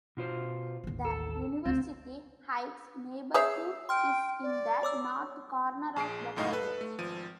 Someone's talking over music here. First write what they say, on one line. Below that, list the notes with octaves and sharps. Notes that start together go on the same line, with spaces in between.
The University Heights neighborhood is in the north corner of Buffalo.
B2 F4 C5
A1 D#2
A4
D2 C4
G#4 C#5 E5 E6 G6 C7
G5 C6 F6
D5
C#5 D6 E6
A#1 G#4 C7 D7
C#2 F#2 A2 D#4 D#5 F5
A4 B4
A3
G#1 F3 D#7